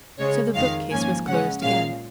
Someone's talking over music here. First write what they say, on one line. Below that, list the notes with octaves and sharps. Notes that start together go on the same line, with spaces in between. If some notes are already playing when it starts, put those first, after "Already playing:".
So the bookcase was closed again.
C#3 G#3 C#4 C#5
F2 D#3 G#3 F5
G#2 F3 A#3 C#4 G#5
C#3 G#3 C#4 F#5
A#2 G#3 C#4 F5